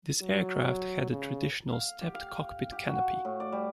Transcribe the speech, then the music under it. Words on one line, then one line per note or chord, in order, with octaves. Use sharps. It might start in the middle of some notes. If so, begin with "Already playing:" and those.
This aircraft had a traditional stepped cockpit canopy.
F#3
C#3
F5
G4
F5
G4
F#4
A2
D5
G3